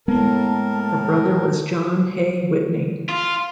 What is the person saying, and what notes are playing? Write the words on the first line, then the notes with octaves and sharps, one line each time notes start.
Her brother was John Hay Whitney.
A2 G#3 A#3 B3 A#4 A5
F4